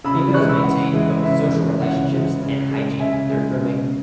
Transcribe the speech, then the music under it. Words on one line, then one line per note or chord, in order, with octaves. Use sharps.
Females maintain both social relationships and hygiene through grooming.
C#3 B5 E6
E3 G#3 C#6 F#6
B5 E6
C#3 F#5
E3 G#3
C#3 E5
E3 G#3
C#3 F#5
E3 G#3
C#3
G#3
C#3 E5 G#5
G#3
C#3